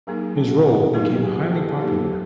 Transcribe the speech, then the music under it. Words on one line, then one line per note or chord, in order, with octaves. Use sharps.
His role became highly popular.
F#3 A#3 D#4 G#4 A#4
G4 A4
F#4
G4
F#4 G#4
F#3 A#3 D#4 F4 G4
G4
F#4 G#4
G4 A4
G#4
F#3 A#3 D#4 G4 A4